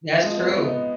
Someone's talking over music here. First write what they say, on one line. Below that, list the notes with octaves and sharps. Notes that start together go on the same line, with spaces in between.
That's true.
F3 G#3
G#3 B3
G#3 B3
B3 D#4